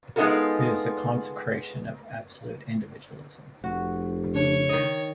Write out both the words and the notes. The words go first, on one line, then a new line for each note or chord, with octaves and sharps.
It is the consecration of absolute individualism.
G#3 B3 D#4 F4 A4 A#4
F1 F#4
C#3 D4 C#5
D#3 D#5